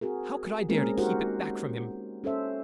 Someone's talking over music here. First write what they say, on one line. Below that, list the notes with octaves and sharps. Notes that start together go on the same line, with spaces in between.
How could I dare to keep it back from him?
C4 F#4 G#4 A#4
G#3 A#3 C4 C#4 G#4 A#4
D#4 F#4 G4 A#4 C5 F#5
C#4 A4 C5 E5